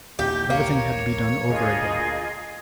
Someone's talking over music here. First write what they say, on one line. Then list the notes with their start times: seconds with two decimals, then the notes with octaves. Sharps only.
Everything had to be done over again.
0.19 A#1 D#2 E3 G4 G6
0.50 A#3 C#5
1.50 D2 A#2 F4 G#4 D#5